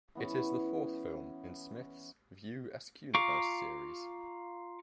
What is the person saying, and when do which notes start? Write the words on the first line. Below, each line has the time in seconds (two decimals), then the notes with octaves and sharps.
It is the fourth film in Smith's View Askewniverse series.
0.15 E3 B3 C#4 C#5
3.15 F4 F5 A#5 C#6 D6